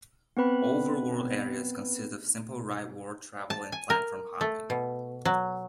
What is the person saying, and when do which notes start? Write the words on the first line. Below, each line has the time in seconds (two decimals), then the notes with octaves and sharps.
Overworld areas consist of simple rightward travel and platform hopping.
0.37 B3 C4 B4 B5
3.50 A5
3.72 G#5
3.90 A#4
4.41 A3
4.70 B2
5.25 F#3